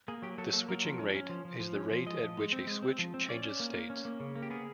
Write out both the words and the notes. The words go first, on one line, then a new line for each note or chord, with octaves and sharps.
The switching rate is the rate at which a switch changes states.
A#3 G#4
F#3 G4
F#3 A4
A#3 A4
F#3 A#4
F3
C#4
C#4
F3
F3
F3
C#4
F3
G#3 D#5
F3
G#3
C4
G#3
C4
F3
C4
C#4 D5
C#4
A#3
A#3
C#4
A#3
C#3
A#3
G4
B3 G#4